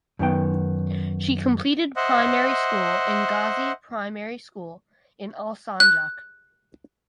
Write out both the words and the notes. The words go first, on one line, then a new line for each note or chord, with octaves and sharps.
She completed primary school in Gazi Primary School in Alsancak.
F#2 D#3 B3 G5
C5 D#5 E5 F#5
F#6